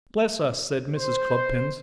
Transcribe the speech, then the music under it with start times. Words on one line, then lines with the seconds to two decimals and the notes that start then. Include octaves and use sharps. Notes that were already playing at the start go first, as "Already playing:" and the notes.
'Bless us!' said Mrs. Cluppins.
0.93 C5